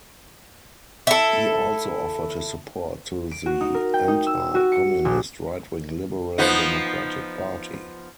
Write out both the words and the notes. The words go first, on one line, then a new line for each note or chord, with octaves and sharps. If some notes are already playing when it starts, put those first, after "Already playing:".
He also offered his support to the anti-communist right-wing Liberal Democratic Party.
E4 A4
D7
F#4
D#4
A#4
G5
D#4
E6
F#4
C#7
A#1
F3 B3 D#4